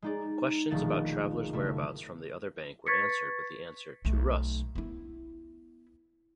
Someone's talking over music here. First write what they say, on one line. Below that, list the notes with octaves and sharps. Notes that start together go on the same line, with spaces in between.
Questions about travelers' whereabouts from the other bank were answered with the answer To-Rus!
G#3 D#4 D5
E1 A#1 D#3 A3 A6
F#1 A3 E4
B4 C#6 G#6 A6 B6 C#7
B1 A3
B3 E4